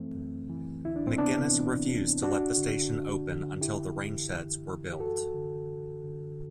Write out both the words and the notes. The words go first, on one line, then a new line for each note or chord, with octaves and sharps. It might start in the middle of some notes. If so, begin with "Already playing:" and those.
McGuinness refused to let the station open until the rainsheds were built.
Already playing: F#2 E3 A3 C4
F#2
E3
D2 E4
D4
C4
C3 B3 D4
E3
D2
F#2 D4 F#4
D3
F#2
D3
F#2 E4 G4
E3
F#2
E3
G4
F#2 F#4 A4
D3
F#2
D3